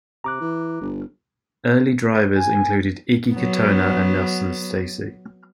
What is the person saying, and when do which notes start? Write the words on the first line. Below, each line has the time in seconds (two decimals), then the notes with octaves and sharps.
Early drivers included Iggy Katona and Nelson Stacy.
0.24 C3 A#5 D6 F#6
0.41 E3
0.81 G1
2.38 G#5
3.33 F#3 B3